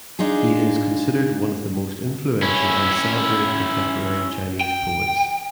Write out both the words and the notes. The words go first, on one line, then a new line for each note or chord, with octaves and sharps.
He is considered one of the most influential and celebrated contemporary Chinese poets.
D4 D#4 F4 G#4
C#4 E4
G5